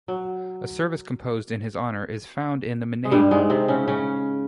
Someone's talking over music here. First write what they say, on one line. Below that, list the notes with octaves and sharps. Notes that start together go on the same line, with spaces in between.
A service composed in his honour is found in the Menaion.
F#3
G#3
G2 G3
G#2 G#3
C3 C4
C#3 C#4
C#3 C#4